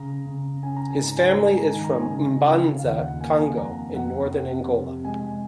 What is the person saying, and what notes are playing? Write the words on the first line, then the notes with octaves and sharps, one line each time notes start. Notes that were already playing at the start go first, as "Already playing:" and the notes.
His family is from M'banza-Kongo in northern Angola.
Already playing: C#3 A#5
C#3
C#4 G#5
A#5
G#5
G#2 A#5
G#5
A#5
G#3
G#5
A#5
D#3 G#5
A#5
G#5
C#3
F4
F5
D#2 F#5
F#5
A#3 G#5
G#5
F2 A#5
F2 F#5
C3
C3
G#3 G#5